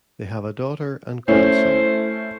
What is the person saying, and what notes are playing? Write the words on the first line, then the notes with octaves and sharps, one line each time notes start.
They have a daughter and grandson.
A3 C#4 E4 C5